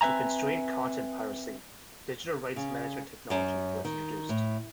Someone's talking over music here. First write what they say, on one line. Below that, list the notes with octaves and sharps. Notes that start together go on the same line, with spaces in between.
To constrain content piracy, digital rights management technology was introduced.
C4 B4 E5 G#5 A#5
C#3
F#2
D#3
A2